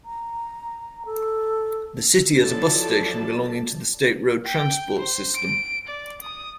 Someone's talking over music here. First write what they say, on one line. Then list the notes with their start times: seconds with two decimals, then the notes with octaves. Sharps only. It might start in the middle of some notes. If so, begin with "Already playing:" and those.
The city has a bus station belonging to the State Road Transport System.
0.05 A#5
1.06 A4
2.41 F3 F#3 E4 A4 D5 A5
4.45 G5
4.99 C5
5.35 D7
5.88 D5
6.22 D#6